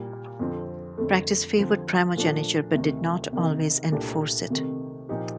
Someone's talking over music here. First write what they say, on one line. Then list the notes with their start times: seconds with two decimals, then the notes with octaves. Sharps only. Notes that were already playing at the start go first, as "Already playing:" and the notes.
Practice favoured primogeniture but did not always enforce it.
Already playing: A#2 G3 A#3
0.39 F2 D3 F3 C4
0.98 F2 D3 A3
1.57 D3 F3 C4
2.16 A#2 F3 A3 D4
2.74 D2 C3 D#3
3.33 C3 D#3 A#3 D#4
3.92 C2 A#2 A3 D4 G4
4.50 C3 D#3 A3
5.09 A#2 F3 A#3 D#4 G4